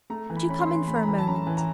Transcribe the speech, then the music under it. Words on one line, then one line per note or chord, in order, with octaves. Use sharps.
Would you come in for a moment?
A3 A#5
E3
B5
C#4 B5
C6
E3
A3 B5
A#5
B5
E3
A5
C#4 A#5
E3
A#5